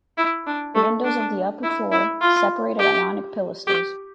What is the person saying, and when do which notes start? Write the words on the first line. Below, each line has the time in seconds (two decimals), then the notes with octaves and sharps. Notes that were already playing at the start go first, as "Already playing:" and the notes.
The windows of the upper floor separated Ionic pilasters.
0.18 E4
0.47 D4
0.75 A3
1.04 D4
1.63 E4
1.92 E4
2.21 F4
2.79 G4
3.67 G4